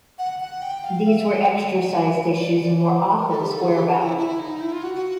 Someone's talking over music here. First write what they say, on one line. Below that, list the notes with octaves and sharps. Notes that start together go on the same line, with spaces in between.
These were extra-sized issues, and were often square-bound.
F#5
F#5
G5
F5
E5
E5
D#5
D5
C#5
D5
D5
C#5
C5
A#4
A4
G4
A4
G#4
G4
F4
E4
E4
D#4
E4
F4
F#4
F#4